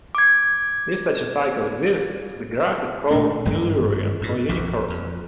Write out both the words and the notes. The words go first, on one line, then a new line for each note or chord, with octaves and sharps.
If such a cycle exists, the graph is called Eulerian or unicursal.
D6 G#6
A#2 A3 A#3 D4
G#1 G2 F#3 G#3
F#2 A2
A#1 F2 B2
F2